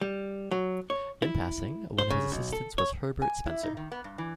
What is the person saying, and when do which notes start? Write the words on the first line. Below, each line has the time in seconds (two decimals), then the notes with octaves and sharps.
In passing, one of his assistants was Herbert Spencer.
0.01 G3
0.51 F#3
0.90 C#5
1.22 E4
1.98 C5
2.10 C#3
2.32 B1
2.52 A4
2.78 C#5
3.22 G#5
3.46 E4
3.63 D#4
3.77 D#3
3.92 B3
4.04 G2
4.18 E3